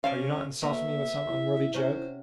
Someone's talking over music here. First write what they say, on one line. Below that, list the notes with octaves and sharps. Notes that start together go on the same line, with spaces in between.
Are you not insulting me with some unworthy joke?
C#4 A4 C5 D5 F5
B2 A3 A#3 E5 A#5
E4
C3 C#4 F#4 C5